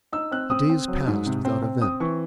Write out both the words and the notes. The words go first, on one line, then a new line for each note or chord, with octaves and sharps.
The days passed without event.
D#4 E6
C4 F#6
C4 D#6
C4
F#3
G#2
C3
C4
C4
C4 D#6
E3 C#6